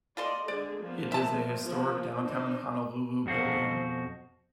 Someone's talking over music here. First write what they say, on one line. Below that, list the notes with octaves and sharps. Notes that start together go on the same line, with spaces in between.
It is a historic downtown Honolulu building.
F4 A4 D5 D#5 C6
D3 G#3 G#4 D5
F3 A#3 B3
E5 A5
F3 A#3
D4 D#4 C5
F2 B2 F#4 C5 F5